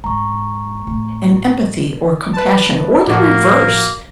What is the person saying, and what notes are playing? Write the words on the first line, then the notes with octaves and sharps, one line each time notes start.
an empathy or compassion, or the reverse,
G#2 A#5 C#6
A2
B4 A5
A2 F3 A#3 F#4